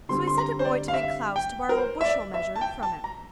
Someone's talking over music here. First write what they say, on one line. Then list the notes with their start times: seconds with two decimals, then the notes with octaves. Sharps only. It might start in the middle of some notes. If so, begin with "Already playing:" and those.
So he sent a boy to Big Klaus to borrow a bushel measure from him.
0.09 D3 G3 C4 C6
0.27 C6
0.38 A#5
0.59 C5
0.65 D5
0.88 F5
0.94 E5
1.36 G5
1.69 A#4
1.78 C5
2.01 E5
2.05 D5
2.34 E5
2.56 A5
2.61 G5
2.83 A5
3.04 A#5